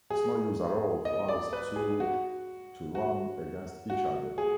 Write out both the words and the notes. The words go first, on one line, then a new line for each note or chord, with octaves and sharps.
It's no use at all for us two to run against each other.
G#4
D#5
D5
B4
G#4
F#4
F#4
F#4
G#4